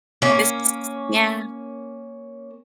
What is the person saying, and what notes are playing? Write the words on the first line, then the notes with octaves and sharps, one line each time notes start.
this is Yeah,
A#3 C#4